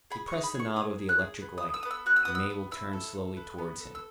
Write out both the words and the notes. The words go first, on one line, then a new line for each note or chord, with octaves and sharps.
He pressed the knob of the electric light; and Mabel turned slowly towards him.
G#4 B5
C#6
D#4
B5
G#4
C#6
D#4 D#6
G#4
F#6
G#4
B3
D#6
A4
E6
B3 D#6
E6
F#4 F#6
E6
B3 D#6
E6
B3
E4 E6
A4
A4
B3
B3
A4
E6